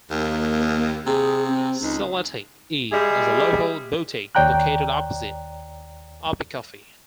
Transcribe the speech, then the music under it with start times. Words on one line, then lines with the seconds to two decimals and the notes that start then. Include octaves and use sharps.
Eclectic E is the local boutique located opposite Oppikoffie.
0.10 D#2 A#3
1.06 C3 G#4
1.47 C4
1.82 C#2 D#4
2.92 G3 G#3 G4 G#4 E5
4.35 D#2 C#5 D5 G5 A#5 F#6